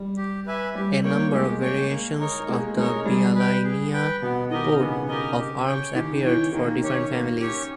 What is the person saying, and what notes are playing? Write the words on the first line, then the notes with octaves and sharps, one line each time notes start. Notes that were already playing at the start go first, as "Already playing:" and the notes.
A number of variations of the Bialynia coat of arms appeared for different families.
Already playing: G3
G4
B4 E5 G#5
G3 G4
A#3 C#5 G5
G#3 G4
C#5 G5
A#3
D#4 A#4 C#5
G#3 A#3
G#3 D#4 A#4 C#5
G3 G#4
B4 G5
G#4
B4 G5
B2 B3
D#3 G4 A#4 D#5
C#3 B3
G4 A#4 D#5
G4
C#5 G5
D#3 G4
E3 C#5 G5
D#3 A#3
C#4 G4 C#5
A#3
C#4 G4 C#5